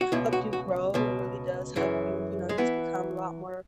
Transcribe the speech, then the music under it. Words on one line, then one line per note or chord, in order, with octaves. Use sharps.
help you grow, it really does help you, you know, just become a lot more
F#4
C#2 B2 E4
F#4
F#4
C#2 B2
F#2 C#3 E3
G#3
E3 B3